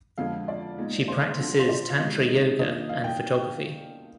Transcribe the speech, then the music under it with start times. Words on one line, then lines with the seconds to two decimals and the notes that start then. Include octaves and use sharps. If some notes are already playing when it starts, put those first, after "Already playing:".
She practices tantra yoga and photography.
0.18 F2 D3 F3 G#3 F5
0.48 D5
0.78 A#2 G#3 D#4
1.08 C5
1.39 D3 F3 C4 F4
1.59 C5
1.69 D5
1.90 F5
1.99 C3 D#3 G#3 D#4 D#5
2.59 D#3 A#3 D4 F4 D#5
2.89 F5
3.04 G5